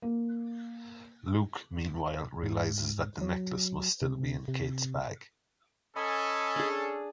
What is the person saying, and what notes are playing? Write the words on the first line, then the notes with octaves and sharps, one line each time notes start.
Luc, meanwhile, realizes that the necklace must still be in Kate's bag.
A#3
G#2
F#3
C3
C3
C#4 A4 D#5 G#5 B5
D4 G#4